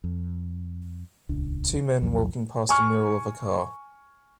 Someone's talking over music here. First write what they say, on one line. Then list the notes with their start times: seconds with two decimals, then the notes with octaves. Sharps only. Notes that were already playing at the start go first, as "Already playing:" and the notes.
Two men walking past a mural of a car.
0.04 F2
1.29 D#1 C#2 D4
2.01 B1 E2 F3 F#3
2.69 G#5 C#6 F6